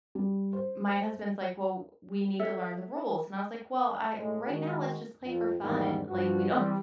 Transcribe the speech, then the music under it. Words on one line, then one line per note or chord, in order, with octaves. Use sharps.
my husband's like, "Well, we need to learn the rules." And I was like, "Well, I right now, let's just play for fun. Like, we don't
G3
C5
A4 C#5 E5
A2 G#3
D#3 G#3 F#4
F2
E2 G#2 D#3 E3 G3 A#3
G2 F3 F#4
E3 G3 C4